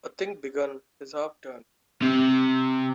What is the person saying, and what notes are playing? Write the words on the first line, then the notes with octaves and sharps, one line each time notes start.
A thing begun is half done.
C3